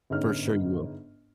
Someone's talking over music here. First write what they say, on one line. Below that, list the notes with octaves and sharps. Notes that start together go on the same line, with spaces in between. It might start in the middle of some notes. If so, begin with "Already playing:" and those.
for sure you will.
G1 G#2 C#4 F6